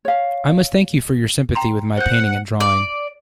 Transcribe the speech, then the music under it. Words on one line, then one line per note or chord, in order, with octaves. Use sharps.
I must thank you for your sympathy with my painting and drawing.
C#5 F5
G5 A#5 C6
C5 F#5 G6
D5